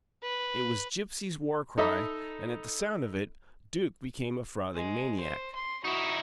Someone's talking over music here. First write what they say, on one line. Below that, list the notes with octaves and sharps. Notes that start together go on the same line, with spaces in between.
It was Gipsy's war-cry, and, at the sound of it, Duke became a frothing maniac.
B4
D#4 A4 D#5 E5 A#5 B5
G#3
C5
C6
D#4 E4 F#4